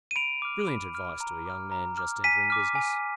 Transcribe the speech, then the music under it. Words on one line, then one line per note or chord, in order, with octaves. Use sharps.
Brilliant advice to a young man just entering business!
D#7
B5 D7 F7
D6 F6
B5
D6 F6
A#5
D6 F6
A#5
D6 F6
G#5 B6 D#7
D6 F6
G#5